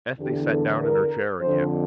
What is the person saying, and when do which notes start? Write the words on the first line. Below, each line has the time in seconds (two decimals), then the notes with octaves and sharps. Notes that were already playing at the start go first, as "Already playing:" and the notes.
Ethne sat down in her chair again.
0.18 E2 D3 G4
0.49 A4
0.81 A#4
1.41 F2 C5
1.46 D3